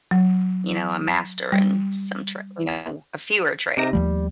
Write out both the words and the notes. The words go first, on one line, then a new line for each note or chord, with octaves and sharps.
you know, a master in some tra you know, a fewer trade.
F#3
G3
C3 D#4 A#6
D#2 F3 G3 A3